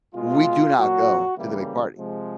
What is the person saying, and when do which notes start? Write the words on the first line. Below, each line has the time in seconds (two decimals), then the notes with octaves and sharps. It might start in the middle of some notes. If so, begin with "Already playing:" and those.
We do not go to the big party.
0.14 B2 G#3 F4
0.75 A#2 F#3 A#3 F#4
1.36 C#3 E3 G3 A#3 E4
1.97 C3 F3 G#3